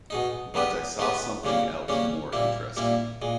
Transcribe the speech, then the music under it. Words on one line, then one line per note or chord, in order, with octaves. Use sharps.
But I saw something else more interesting.
B2 G#3 D#4
D#3 G#3 B3 G4 B4
D#3 G#3 B3 G4 B4
D#2 C#3 G3 A#3 C#4
D#2 C#3 G3 A#3 C#4
A#2 G3 A#3 E4
A#2 G3 A#3 E4
A#2 G#3